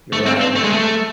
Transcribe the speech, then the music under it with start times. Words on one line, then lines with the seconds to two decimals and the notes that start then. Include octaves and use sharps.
You're right,
0.13 A3
0.26 C4
0.41 C4
0.56 A3
0.64 G#3
0.73 A3